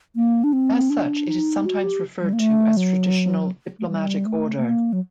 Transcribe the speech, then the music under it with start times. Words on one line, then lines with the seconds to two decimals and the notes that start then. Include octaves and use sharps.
As such it is sometimes referred to as a traditional "diplomatic order".
0.16 A#3
0.44 D4
0.53 C4
0.90 D4
1.27 D#4
1.65 F#4
1.84 G4
2.21 G3
2.33 A#3
2.39 A3
2.77 F#3
3.79 A3
3.89 G3
4.26 A3
4.57 A3
4.63 A#3
4.93 F#3